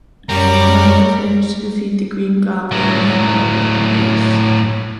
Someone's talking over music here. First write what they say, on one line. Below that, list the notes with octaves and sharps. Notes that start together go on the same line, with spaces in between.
Miles managed to defeat the Green Goblin and hand him over to the police.
F#2 G3 A#4 C#5 D5
A2 F#3